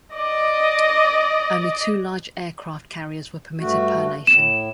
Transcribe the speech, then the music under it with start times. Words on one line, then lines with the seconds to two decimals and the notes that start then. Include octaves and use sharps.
Only two large aircraft carriers were permitted per nation.
0.15 D5 D#5
3.60 G2 A3 F#4
4.27 A2 E7